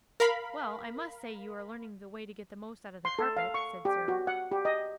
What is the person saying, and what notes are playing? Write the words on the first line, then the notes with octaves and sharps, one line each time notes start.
'Well, I must say you are learning the way to get the most out of the carpet,' said Cyril.
A#4 F5 B5
C6
A4
F5
C#6
G4
F#4
F#5
G4
D#5